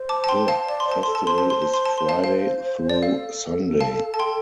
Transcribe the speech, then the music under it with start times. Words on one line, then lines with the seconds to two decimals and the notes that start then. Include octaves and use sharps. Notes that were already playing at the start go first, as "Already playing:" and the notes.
The festival is Friday through Sunday.
Already playing: C5
0.09 A5 D6
0.24 A5
0.28 G5 C6
0.48 F5 A5
0.68 D5 A5
0.80 C6
0.87 C5 A5
1.02 A4 C5 C6
1.15 A5
1.27 C5 C6
1.38 A5
1.50 C6
1.62 A5
1.74 C6
1.86 A5
1.98 C6
2.09 F5 A5
2.24 F5
2.89 C5 D5
3.02 A4 F5
3.81 F5 A5
4.14 A5
4.19 G5 C6